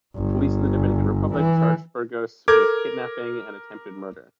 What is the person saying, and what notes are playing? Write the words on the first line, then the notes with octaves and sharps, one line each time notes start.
Police in the Dominican Republic charged Burgos with kidnapping and attempted murder.
G1
E3
A4 A#4 D6 G#6